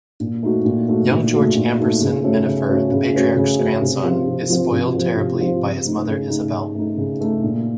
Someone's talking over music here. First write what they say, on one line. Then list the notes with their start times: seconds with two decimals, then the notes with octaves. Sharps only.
Young George Amberson Minafer, the patriarch's grandson, is spoiled terribly by his mother Isabel.
0.20 A#2
0.43 A3 D#4 F#4
0.65 A#2
0.88 A3 D#4 F#4
1.10 A#2
1.33 A3 D#4 F#4
1.55 A#2
1.78 A3 D#4 F#4
2.01 C#3
2.24 A3 C#4 F#4
2.46 C#3
2.69 A3 C#4 F#4
2.91 C#3
3.14 A3 C#4 F#4
3.37 C#3
3.59 A3 C#4 F#4
3.81 C3
4.04 F3 C4 F4
4.27 C3
4.49 F3 C4 F4
4.72 C3
4.94 F3 C4 F4
5.17 C3
5.40 F3 C4 F4
5.62 C#3
5.85 A3 D#4
6.08 C#3
6.30 A3 D#4
6.52 C#3
6.75 A3 D#4
6.97 C#3
7.21 A3 D#4
7.43 A#2